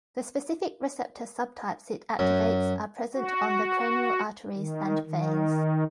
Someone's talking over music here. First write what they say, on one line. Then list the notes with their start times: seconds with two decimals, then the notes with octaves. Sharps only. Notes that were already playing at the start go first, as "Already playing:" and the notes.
The specific receptor subtypes it activates are present on the cranial arteries and veins.
2.19 F#2
3.15 F#4
4.56 D#3
5.07 D#3